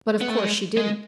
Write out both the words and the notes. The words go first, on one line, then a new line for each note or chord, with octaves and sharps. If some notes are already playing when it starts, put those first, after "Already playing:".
But of course she didn't.
B3
A3
G#3
G#3